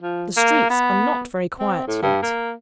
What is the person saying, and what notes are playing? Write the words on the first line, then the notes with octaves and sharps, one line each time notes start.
The streets are not very quiet yet.'
F3
A#3
B3
C4
A2
G2
A#3